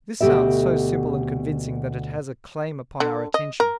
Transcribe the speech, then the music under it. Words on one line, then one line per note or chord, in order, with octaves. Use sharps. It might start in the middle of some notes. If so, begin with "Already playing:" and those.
This sounds so simple and convincing that it has a claim upon our attention.
D2 B2 E3 G4 A4 E5
D3
D#5
A#4